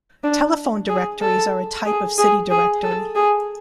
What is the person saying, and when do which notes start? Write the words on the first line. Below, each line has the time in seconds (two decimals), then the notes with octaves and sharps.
Telephone directories are a type of city directory.
0.24 D4
0.89 G#4
1.21 A4
1.85 G#4
2.18 G#4
2.50 G#4
2.83 A4
3.15 G#4